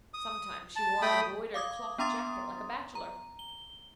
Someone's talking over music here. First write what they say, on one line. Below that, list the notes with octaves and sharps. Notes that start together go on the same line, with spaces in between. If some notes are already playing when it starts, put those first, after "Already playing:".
Sometimes she wore an embroidered cloth jacket like a bachelor.
D#6
A5
A3 G5 B5 D#6
F5 D6 D#6 G#6
B3 D4 A#5 C6 D#6 A6
A#5
G7